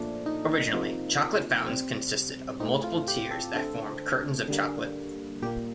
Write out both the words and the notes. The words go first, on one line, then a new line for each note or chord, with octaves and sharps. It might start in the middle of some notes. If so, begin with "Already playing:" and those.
Originally, chocolate fountains consisted of multiple tiers that formed curtains of chocolate.
Already playing: A#2 F3 A3 D4
D#4
C3 F3 A#3
C3 G3 C4
A2 A3 C4 D#4
F4
G4
A4
D3 A3 C4 A4
D3 G3 A#3
A#2 G3 A#3 G4